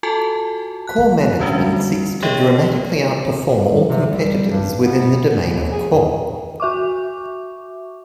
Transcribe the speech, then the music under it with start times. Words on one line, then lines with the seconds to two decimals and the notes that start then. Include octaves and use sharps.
Core management seeks to dramatically outperform all competitors within the domain of core.
0.03 F4 F#4 A4 G#5 A5
0.87 F#6 B6
1.40 D3 G3 C#4 D4 F#4
2.22 G4 G#4 C#5 D#5 E5 G5
3.88 C3
4.11 G3
4.50 G2
4.83 B3
5.50 D#2
5.72 G#4
6.60 F#4 E5 C#6 D6